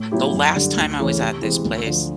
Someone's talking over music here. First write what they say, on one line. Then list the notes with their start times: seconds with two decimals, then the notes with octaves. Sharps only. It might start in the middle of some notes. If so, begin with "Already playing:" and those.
the last time I was at this place,
Already playing: A2
0.11 F#3 B3 E4 G4
0.33 F#2
0.56 D3 G3
0.77 D2
0.99 C#3 E3 A3 C#4
1.20 C3
1.42 E3 G#3 C4
1.65 D2
1.86 D3 F3